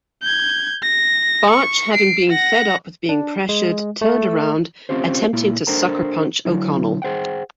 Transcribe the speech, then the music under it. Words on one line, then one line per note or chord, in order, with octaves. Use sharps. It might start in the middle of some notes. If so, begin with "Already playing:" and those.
Barch, having been fed up with being pressured, turned around, attempting to sucker-punch O'Connell.
G6 G#6
A#6
C#6
C7 D7
F#5 A#6
D4
G#3
A3
C4 C#4 F4 G4 C5
A#2 A#3 E4
D4 A4 A#4 C5 G5 A#5
D3 F#3 E4
G#4 C5 F#5 G5